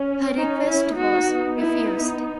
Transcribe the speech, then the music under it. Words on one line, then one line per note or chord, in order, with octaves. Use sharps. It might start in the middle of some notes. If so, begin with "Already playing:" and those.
Her request was refused.
Already playing: C#4
C#4 D#4
E4
B3 D#4 F#4
E4